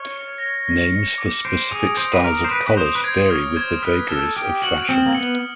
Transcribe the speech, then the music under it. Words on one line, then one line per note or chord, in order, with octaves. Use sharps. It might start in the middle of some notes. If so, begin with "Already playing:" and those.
Names for specific styles of collars vary with the vagaries of fashion.
Already playing: C#5 F6
C#7
A#6
A#6
C#7
D6
C5 D7
G#4 D#6
C5 D#6
B4
A#4 D7
C5
B4 D7
B4
C5 D#6
B4
C5 G#6
C#5 F6
C5 G#6
B4 F6
A4 F6
G4 F6
F#4 F#7
C4 F6
A#3
B3 C#7